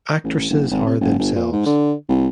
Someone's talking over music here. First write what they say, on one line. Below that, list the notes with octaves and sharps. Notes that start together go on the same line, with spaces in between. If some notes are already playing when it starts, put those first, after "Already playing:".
Actresses are themselves.
A1
F#1
G#1
C3
F#1
G1
A#2
G#2
D3
C2